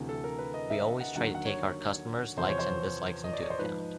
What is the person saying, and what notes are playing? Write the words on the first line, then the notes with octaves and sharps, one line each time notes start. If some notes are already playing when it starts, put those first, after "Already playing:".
We always try to take our customers’ likes and dislikes into account.
Already playing: D2 C3 E3
A4
A#4
B4
D#5
E5
F#5
D#2 D3 F#3 F#5
F#5
C#5
E2 C3 F3 C5
C#5
C5
D#5
D5
C#5
C5
G#2 F3 B4